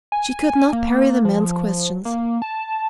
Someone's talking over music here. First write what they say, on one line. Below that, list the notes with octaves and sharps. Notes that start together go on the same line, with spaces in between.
She could not parry the man's questions.
G#5
A#3
F3
A#3
A5